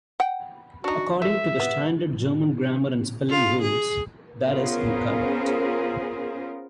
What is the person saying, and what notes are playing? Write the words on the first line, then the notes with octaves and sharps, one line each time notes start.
According to the Standard German grammar and spelling rules, that is incorrect.
F#5 G5
D4 D#4 F#4
A3 E5
B3
F4
G#4
B3 C#4 F4 G#4 A#4 C5